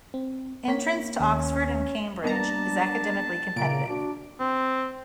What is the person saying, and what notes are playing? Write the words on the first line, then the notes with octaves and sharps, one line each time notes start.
Entrance to Oxford and Cambridge is academically competitive.
C4
A#3 C#5 B6
D#2 C#4
G3 A#3 B3 D4 A5 A#5
A#2 C#3 A#3 D7
D4 F#4
C4